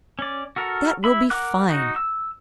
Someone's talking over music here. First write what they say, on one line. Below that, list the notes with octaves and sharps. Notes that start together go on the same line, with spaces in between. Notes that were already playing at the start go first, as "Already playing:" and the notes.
"That will be fine."
C#4 D5
F#4 A4 A#4
E4 E5 B5
A#4 F#5 D6 F#6
D#4 F#4
E6